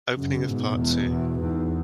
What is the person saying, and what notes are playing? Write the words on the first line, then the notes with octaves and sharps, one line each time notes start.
Opening of Part Two.
F#2 C#3
G#2 B2
E2
E2
E2 G#2